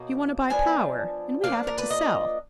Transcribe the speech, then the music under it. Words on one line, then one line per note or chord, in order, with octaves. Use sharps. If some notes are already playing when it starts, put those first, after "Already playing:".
You want to buy power, and we have it to sell.
Already playing: B2 F#3 A#3 D#4
F3 B3 D4 G#5
F3 A#3 D4 F5
A#4
B4
D#5